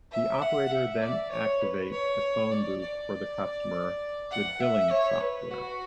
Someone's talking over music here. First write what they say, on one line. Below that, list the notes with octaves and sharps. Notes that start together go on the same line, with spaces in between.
The operator then activates a phone booth for the customer with billing software.
E5
F#5
E5
D5
C#5
B4
C#5
D5
D5
F#5
E5
C#5
B4
F#4